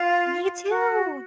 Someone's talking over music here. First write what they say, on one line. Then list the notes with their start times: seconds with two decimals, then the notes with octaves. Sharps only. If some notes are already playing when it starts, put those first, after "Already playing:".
Me too.
Already playing: F4
0.69 F#4